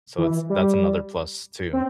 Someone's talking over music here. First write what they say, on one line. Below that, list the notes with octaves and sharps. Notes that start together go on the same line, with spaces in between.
So it's that's another plus, too,
E3
G3
C4